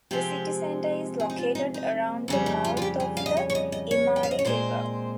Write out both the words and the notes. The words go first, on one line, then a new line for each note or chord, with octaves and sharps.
The city center is located around the mouth of the Imari River.
C3 F3 G#3 C4 G4
G#4
D#4
F4
D#4
D#4
F2 C#3 G3
D#4
F4
F4
G4
G#4
F5
D#5
C#5
C#5
D#5
D#5
C#5
G5
F5
D#5
C#5
A#2 G#3 C4 C5